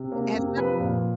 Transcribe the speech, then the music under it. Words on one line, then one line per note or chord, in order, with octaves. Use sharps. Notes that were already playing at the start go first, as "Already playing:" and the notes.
And so
Already playing: C3
A#3
C3
F3 B4
A#2